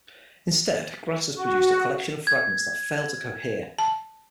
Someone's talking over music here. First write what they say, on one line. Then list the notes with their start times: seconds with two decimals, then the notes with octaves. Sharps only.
Instead Grass has produced a collection of fragments that fail to cohere.
1.36 F#4
2.27 G#6
3.79 A5